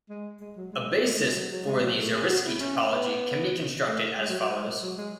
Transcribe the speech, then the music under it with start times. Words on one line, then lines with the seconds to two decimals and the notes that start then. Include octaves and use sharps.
A basis for the Zariski topology can be constructed as follows.
0.09 G#3
0.40 G#3
0.56 F#3
0.72 G#3
1.04 G#3
1.14 A3
1.24 G#3
1.35 F#3
1.50 F#3
1.66 G#3
1.82 F#3
1.98 A3
2.13 G#4
2.29 F#4
2.45 E4
2.60 C#4
2.92 B3
3.86 A3
4.19 G#3
4.29 F#3
4.40 F#3
4.49 G#3
4.82 F#3
4.97 G#3